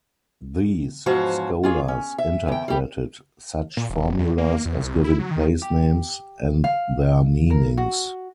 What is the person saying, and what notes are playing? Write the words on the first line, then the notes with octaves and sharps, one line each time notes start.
These scholars interpreted such formulas as giving place names and their meanings.
E2 G#2 F3 F#4 C5 C#5
F4 G#4 C#5
C#4
E5
E2 G5
G3 G4
A#2
E1
E2
A#3
E2
C2
E4
F#3
D#3
G4
F5
A#4
F#4